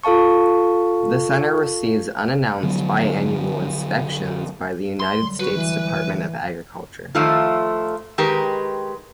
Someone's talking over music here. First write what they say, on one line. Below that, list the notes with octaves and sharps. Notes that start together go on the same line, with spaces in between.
The center receives unannounced bi-annual inspections by the United States Department of Agriculture.
F4 A4 F5 A5 C#6
D3 F3 F#3 B3
C6
D3 F#3 G3
F#4 B4
E3
D#3 F3 A3 F4
D#3 G#3 G4 A#4 B4